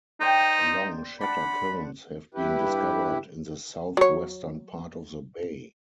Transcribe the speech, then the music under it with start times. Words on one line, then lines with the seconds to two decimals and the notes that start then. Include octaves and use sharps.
Long shatter cones have been discovered in the southwestern part of the bay.
0.21 D#4 C5 D5 G5
1.21 D4 D5 F#5 B5
2.34 G2 E4 G4 B4
3.97 F#3 C#5